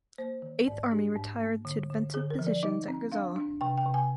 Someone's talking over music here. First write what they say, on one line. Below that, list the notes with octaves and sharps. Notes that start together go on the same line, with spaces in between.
Eighth Army retired to defensive positions at Gazala.
A#3 C5
D#3
G#2 D5
D4 G4
G#2
A#3
D3
D3
D3 G#4
A#4
F3
D5
D#4 D#5
C4
D4 F5
D4
C3 G5
G5
C3
G#5